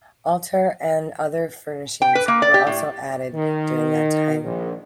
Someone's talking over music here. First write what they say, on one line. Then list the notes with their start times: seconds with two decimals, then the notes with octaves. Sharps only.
Altar and other furnishings were also added during that time.
2.02 G5
2.15 B4
2.28 A#3
2.42 D5
2.54 G4
2.67 A2
3.33 D#3
4.44 A#1